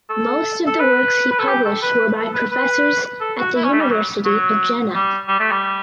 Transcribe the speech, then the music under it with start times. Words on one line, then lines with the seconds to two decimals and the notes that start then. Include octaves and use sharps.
Most of the works he published were by Professors at the University of Jena.
0.10 A4
0.67 A4
0.79 B4
1.31 B4
1.39 A4
1.48 G4
1.66 A4
1.83 B4
2.17 A4
2.34 B4
2.52 B4
3.21 A4
3.39 F#4
3.56 E4
3.64 C#4
3.73 A3
3.82 G3
3.90 F#3
4.25 F#3
4.94 G3
5.28 G3
5.40 A3
5.51 G3